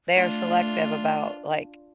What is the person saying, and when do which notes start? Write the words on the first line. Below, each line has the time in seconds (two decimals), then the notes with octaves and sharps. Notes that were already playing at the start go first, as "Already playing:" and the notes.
they are selective about, like,
0.15 A3 D4 F4